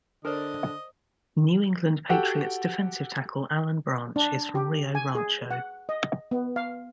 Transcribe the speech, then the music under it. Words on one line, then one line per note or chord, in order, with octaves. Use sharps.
New England Patriots defensive tackle Alan Branch is from Rio Rancho.
D3 A#4 C5 D5 D#5
F#4 G4 A4 F#5 G5
D4
G4
G#5
G#4
F#5
D#5
B3
F5